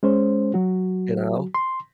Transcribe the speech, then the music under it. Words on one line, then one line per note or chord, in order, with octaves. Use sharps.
You know.
G#3 C#4 C5
F#3 F#4
C6